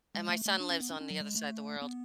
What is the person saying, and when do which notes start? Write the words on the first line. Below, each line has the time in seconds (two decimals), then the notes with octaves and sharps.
And my son lives on the other side of the world.
0.15 G#3
0.29 A3
0.45 A3
0.60 D4
0.70 C#4
0.80 B3
0.90 C#4
1.01 C#4
1.11 F#3
1.20 G#3
1.36 A3
1.82 B3